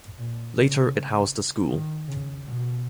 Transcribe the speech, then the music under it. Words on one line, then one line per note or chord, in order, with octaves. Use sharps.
Later it housed a school.
A#2
C#3
D#3
C#3
B2